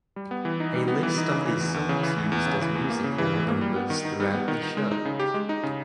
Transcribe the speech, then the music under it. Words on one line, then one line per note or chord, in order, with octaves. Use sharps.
A list of the songs used as musical numbers throughout the show.
G3
B3
E3
D#4
G3
B3
E3
D#4
C#3
E3
E2
E2
C#3
E3
E2
E2
C#3
E3
E2
A#3
C#3
E3
E2
A#3
G3
B3
D#3
D#4
G3
B3
D#3
D#4
G#3
D#4
C#3
G4
G#3
D#4
C#3